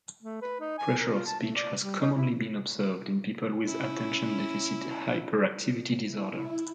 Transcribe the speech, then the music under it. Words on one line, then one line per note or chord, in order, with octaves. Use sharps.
Pressure of speech has commonly been observed in people with attention deficit hyperactivity disorder.
A3
B4
D#4
G#5
A#4
F4
A5
A3
D5
G3
D#4
E4
C#4 E4
E4